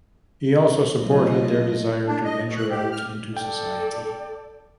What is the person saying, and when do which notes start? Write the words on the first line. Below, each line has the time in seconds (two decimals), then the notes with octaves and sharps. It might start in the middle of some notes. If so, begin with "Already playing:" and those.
He also supported their desire to venture out into society.
0.97 B1 A3 F4 D#5
2.07 D4
2.24 D#5
2.45 B2
2.57 F#6
2.69 G4
2.91 F6
3.37 A4 D5 G5